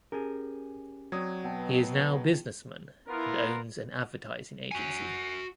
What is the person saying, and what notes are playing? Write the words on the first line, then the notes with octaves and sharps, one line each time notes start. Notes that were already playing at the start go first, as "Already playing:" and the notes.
He is now businessman and owns an advertising agency.
C#4 G4 G#4 A#4
F#3 C4 D5 D#6 G#6
B2 B3 G5 A5
B3 E4 F4 A#4
F#4 G#5